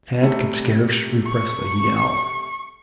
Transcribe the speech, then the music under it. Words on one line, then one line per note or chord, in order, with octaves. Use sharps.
Tad could scarce repress a yell.
C3 G3 A3
C#6